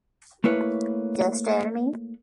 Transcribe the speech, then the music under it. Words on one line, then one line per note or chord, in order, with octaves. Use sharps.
Just tell me.
A3 A#3 E4 B4 C#5